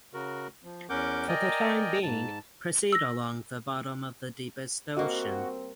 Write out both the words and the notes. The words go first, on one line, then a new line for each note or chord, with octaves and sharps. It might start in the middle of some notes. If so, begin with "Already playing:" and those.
For the time being proceed along the bottom of the deepest ocean.
C#3 F#4 A#4
F3
E2 C#4 A#4 F#5 D6 G6
A#4 D5 D#5 G5 G#5 A#5
G#2 A5
E6 A#6
G3 A#3 C4 F#4 D#5